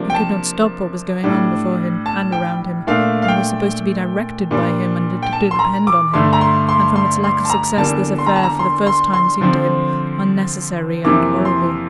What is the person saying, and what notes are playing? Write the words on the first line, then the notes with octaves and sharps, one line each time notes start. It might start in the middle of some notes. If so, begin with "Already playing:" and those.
He could not stop what was going on before him and around him and was supposed to be directed by him and to depend on him, and from its lack of success this affair, for the first time, seemed to him unnecessary and horrible.
Already playing: C3 F3 A#3 D4
G5
A5
A2 G3 D4
A5
G5
A#2 A3 D4 F5
F5
G5
A#2 G3 D4
G5
A5
C6
A#5
D6
G2 D3 A3 C6
A#5
C6
C6
C6
C6
A5
A#5
E2 D3 G3 A#3 D4 A5
C6
A#5
A5
A#5
C6
C6
C6
D3 F3 C4
F2 C3 E3 A#3 D6
C6